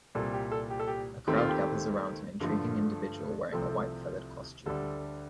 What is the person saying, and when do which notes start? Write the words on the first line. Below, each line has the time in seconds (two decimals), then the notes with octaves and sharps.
A crowd gathers around an intriguing individual wearing a white feathered costume.
0.15 C2 A#2 G3 C4 A4
0.34 G4
0.51 A4
0.70 G4
0.80 A4
0.87 G4
1.27 D#2 D#3 A3 C4 G4
1.37 F4
1.49 G4
2.40 G2 D3 F3 A3
3.52 C2 C3 F3 A3 C4 A4
4.66 D2 D3 G3 A4